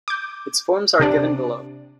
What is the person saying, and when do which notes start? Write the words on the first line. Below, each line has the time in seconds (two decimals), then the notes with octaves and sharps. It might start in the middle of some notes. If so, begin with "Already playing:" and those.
Its forms are given below.
0.08 D6 G6
1.00 C3 D4 D5